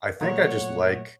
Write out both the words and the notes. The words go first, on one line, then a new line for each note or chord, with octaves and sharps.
I think I just like
A#2 F#3 A3 C#5 F#5